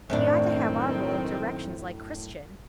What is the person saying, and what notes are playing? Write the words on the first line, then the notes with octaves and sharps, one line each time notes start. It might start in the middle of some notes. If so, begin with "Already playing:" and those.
We ought to have our roll of directions, like Christian.
F#2 A2 D#3 C4 D4